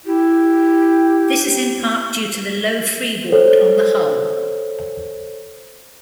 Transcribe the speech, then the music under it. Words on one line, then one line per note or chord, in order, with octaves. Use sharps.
This is in part due to the low freeboard on the hull.
E4 G4
A4 C5 C#5